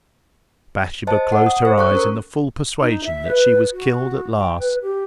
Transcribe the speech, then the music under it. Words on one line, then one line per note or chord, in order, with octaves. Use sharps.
Bathsheba closed her eyes in the full persuasion that she was killed at last.
C5 D#5 A5
F#5
D#6
C5
A4 C#6 F#6
C#4 A#4
D#4
E5
B4
F#4
G5
B4
G4